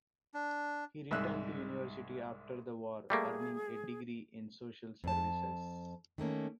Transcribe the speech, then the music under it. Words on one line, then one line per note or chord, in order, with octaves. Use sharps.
He returned to university after the war, earning a degree in social services.
D4
C2 G#2 E5 E6 F#6
G3 A3 A#3 G#4
F2 A5
D#3 A3 A#3 C#4